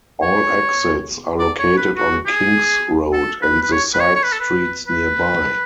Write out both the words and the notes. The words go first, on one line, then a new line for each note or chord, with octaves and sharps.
All exits are located on King's Road and the side streets nearby.
C#5
D5
C#5
B4
F#4
G#4
A4
B4
B4
C#5
B4
C#5
C#5
B4
A4
B4
B4